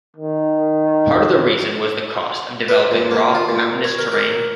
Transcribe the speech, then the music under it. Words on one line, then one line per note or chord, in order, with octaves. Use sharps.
Part of the reason was the cost of developing raw mountainous terrain.
D#3
B4
A#2
A#3
F4
A#2
C#5
A#4
A#4